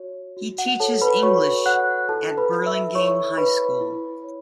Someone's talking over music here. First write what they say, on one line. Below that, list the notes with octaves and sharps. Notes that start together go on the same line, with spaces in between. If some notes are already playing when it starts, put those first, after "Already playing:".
He teaches English at Burlingame High School.
Already playing: F#4 C#5
F#4
F#5
A4 C#5 A5
B4 B5
F#4 C#5 C#6
C#5 F#5 F#6
E4 A4 A5
B4 B5
B4
E5 E6
E4 C#5 C#6
B4 B5
E4
C#5